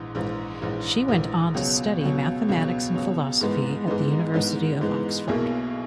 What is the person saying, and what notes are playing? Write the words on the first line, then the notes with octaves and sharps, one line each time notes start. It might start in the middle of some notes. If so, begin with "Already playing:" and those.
She went on to study Mathematics and Philosophy at the University of Oxford.
Already playing: A#1 G#2 E3
A#1 G#2 E3
A#1 G#2 E3
A#1 G#2 E3
C#2 B2 F#3
C#2 B2 F#3
C#2 B2 F#3
C#2 B2 F#3
G#2 E3 G#3 B3 D#4
G#2 E3 G#3 B3 D#4
G#2 E3 G#3 B3 D#4
G#2 E3 G#3 B3 D#4
B1 B2 A#3 E4 G#4